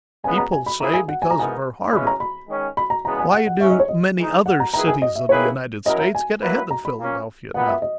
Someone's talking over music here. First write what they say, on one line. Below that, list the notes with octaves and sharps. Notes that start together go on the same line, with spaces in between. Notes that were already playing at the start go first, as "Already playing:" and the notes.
People say, "Because of her harbor." Why do many other cities of the United States get ahead of Philadelphia now?
F#2 C#3 G#3 B3 G#5
A#5
G#5
B5
A#2 A#3 E4 G#4 A#5
G#5
F#5
G#5
A#5
G#2 E3 B3 D#4 A#4 G#5
C#3 E3 G#3 C#4 B5
A#5
B5
D#3 G#3 C#4
B5
A#5
E2 C#3 G#3 B3 A#5
G#5
F#5
F#5
G#2 F#3 C#4 E5
D#5
C#5
D#5
E3 G#3 D#4
F#5
A#5
D#3 A#3 E4 G#4 B4 A#5
G#5
D#5
E5
D#3 A#3 E4 G#4 B4 C#5
F#3 C#4 E4 A#4 D#5
E5
G#5
F#3 A#3 E4 B4
A#5
B5
A#2 A#3 C#4
A#2 G#3 B3 F#5
E5
D#5